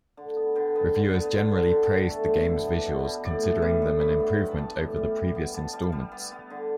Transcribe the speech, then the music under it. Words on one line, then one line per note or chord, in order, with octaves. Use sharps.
Reviewers generally praised the game's visuals, considering them an improvement over the previous installments.
D3
B3
D3 G5
B3
D3
B3
D3
D3
D3 G5
A5
D3 G5
A3 A4
D3
B2 E4
B3
D4
B2
B4
B2
A2 D5
A2
A4
G3 B4
A2
G2 B5
B3
G5
G2
A5 B5
G3
A2
G3
G3
B3
B3 A5
G3
G3
B3
B3
D3